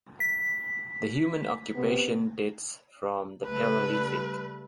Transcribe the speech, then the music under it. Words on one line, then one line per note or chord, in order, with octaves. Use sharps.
The human occupation dates from the Paleolithic.
B6
C3 B3
C#3 G3 A3 B4